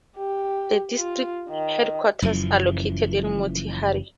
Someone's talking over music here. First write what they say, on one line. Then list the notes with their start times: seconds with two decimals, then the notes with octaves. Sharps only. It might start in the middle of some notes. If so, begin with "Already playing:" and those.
The district headquarters are located at Motihari.
0.17 G4
0.98 F4
1.50 D#3
2.22 F#1 F#2 E3 F3